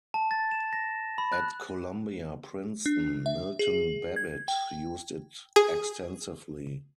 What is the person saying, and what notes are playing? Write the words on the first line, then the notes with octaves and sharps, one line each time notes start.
At Columbia-Princeton, Milton Babbitt used it extensively.
A5
A6
E7
A#6
B5
F#6
D4
E5
G#4
G#6
G5
G#4